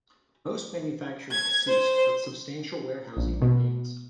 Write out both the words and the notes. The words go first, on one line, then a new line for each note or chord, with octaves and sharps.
Most manufacturing has ceased, but substantial warehousing remains.
G#6
C5
A#1
B2